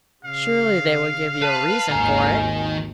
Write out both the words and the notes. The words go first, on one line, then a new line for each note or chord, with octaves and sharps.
Surely they will give you a reason for it.
C#3 F5
B4 A5
G#1 D#2 D#3 G#5 A#5